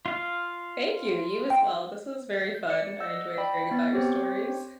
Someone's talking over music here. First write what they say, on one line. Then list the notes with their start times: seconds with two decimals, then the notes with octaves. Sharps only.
Thank you, you as well, this was very fun, I enjoyed hearing about your stories.
0.06 F4 F5
1.50 G5
2.55 G6
2.70 D5 C#7
3.00 D#5 F#5 E6 G6 A#6
3.37 D5 G5 B5
3.71 B3 A6
3.93 C4 G4 C5 C#5